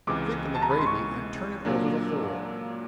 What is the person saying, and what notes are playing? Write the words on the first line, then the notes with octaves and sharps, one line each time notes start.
Thicken the gravy and turn it over the whole.
C#2 C3 E3 G#3 D6
A5
A#5
B5
C6
C#6
A#2 F#3 A#3 D4